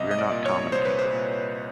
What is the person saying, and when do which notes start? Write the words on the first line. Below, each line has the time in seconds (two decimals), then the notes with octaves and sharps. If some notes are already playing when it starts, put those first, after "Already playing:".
We’re not common people.
Already playing: C2 D#5
0.11 D#5
0.18 D5
0.32 A#2
0.46 C#5
0.72 C2 C5
0.85 B4
0.99 C5
1.13 A#2